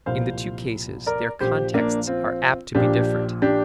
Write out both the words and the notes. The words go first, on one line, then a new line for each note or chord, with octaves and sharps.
In the two cases their contexts are apt to be different.
C2 A#2 F3 C5 F5
A#4 D5
A#1 A#2 F3 G4 C5
A#3 D4
C4 F4
A#1 A#2 F3 D4 G4
D4 G4